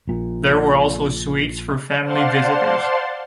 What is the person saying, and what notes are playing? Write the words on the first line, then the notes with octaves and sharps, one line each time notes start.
There were also suites for family visitors.
A#1 A#2
C5 D5 F5 F#5 A5 C6